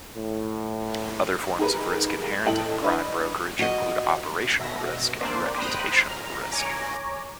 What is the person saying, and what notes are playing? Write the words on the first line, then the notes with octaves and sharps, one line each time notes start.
Other forms of risk inherent in Prime Brokerage include operational risk and reputational risk.
A2
D#4 G4 G#4 A#4 B4
A2 A4 D#5 G5 F#7
D4 E4 B4 D#5
F#4 D#5
B2 E5 A#6
A#3 C4 D4 C5 D5
C5 G5 A#5 B5 D#6 F#6
A#5 F6
C#5 G#5 A#5 D6